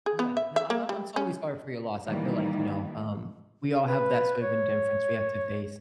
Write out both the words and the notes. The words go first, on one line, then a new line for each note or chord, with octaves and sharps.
Yeah, no, I'm I'm I'm totally sorry for your loss, I feel like, you know, um, we all have that sort of indifference we have to face
G#4
B3
E5
E5
A#3
G3
C#4
D#3 E3 G3 A#3 D#4
B4
C#5